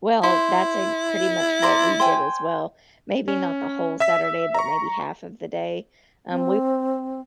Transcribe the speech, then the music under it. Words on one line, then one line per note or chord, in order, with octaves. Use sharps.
Well, that's ex pretty much what we did as well maybe not the whole Saturday, but maybe half of the day um, we
E4 C5
C5 D5 A#5
C5 G5 G#5
C#4
E5 E6 B6
A#5 C#6
C4